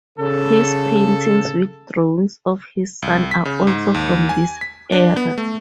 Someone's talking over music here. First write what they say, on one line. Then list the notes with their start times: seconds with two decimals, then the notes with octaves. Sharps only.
His paintings with drawings of his son are also from this era.
0.19 C#3 A4
3.02 C2
3.31 B6
3.45 C#3
3.67 G#2
3.94 D#2
4.29 G#5
4.61 B6
4.92 D4
5.17 B3
5.38 A3